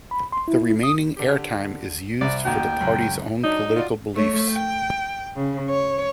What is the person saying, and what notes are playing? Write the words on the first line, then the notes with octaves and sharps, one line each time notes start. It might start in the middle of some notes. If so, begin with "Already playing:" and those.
The remaining airtime is used for the party's own political beliefs.
B5
C6
E4
D#6
D3 G4
C2 D5 E5
A1 D#2 F#4 G5
C#2 F#2
F#3 D4 D#4
F4 F#4 D5
A3 C#5
G5
C#3
C#5